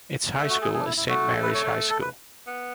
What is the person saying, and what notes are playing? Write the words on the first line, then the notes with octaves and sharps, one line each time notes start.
Its high school is Saint Marys High School.
A3 E5
F#4
G#4
G#4
D4
E4
E4
A3 F#4
B4
C#5
C#5
A4
B4
B3